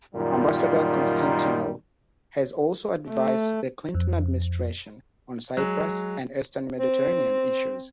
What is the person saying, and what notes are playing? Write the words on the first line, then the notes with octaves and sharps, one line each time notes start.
Ambassador Constantinou has also advised the Clinton Administration on Cyprus and Eastern Mediterranean issues.
F#2 A#2 D#3 G3 D#4 F4
A3
F2
F#3 G#3
C4